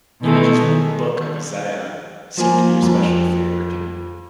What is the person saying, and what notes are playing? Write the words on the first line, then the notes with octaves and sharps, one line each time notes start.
Images from the Book of Isaiah seem to be especially favoured.
B2 D#3 E3 G#3 A3
D#3
F3 A#3 G#5
F2